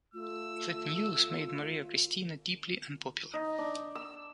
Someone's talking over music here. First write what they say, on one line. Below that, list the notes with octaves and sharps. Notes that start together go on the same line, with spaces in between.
That news made Maria Christina deeply unpopular.
A3 F4 E6
D#4
D4
E6